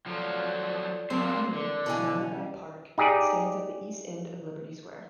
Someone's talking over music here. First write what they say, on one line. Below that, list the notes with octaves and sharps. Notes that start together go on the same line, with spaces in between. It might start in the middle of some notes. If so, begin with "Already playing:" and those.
The monument, surrounded by a park, stands at the east end of Liberty Square.
F3 F#3 A4 D5
A#3 C4 D4 A#4 C5
D3 A4 A#4 D5
B2 E3 E4 D#5 F5 G#5
C#4 F5
D#4 G4 G#4 D5